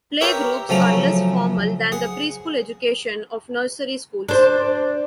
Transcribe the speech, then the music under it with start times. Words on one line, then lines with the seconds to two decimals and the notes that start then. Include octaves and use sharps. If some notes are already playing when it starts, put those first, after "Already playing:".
Playgroups are less formal than the pre-school education of nursery schools.
0.21 G4 A#4 B4 C#5 E5
0.69 C#3 F3 F#3 A3 C#4 A#5
1.92 G#4 F#5
4.29 D4 C5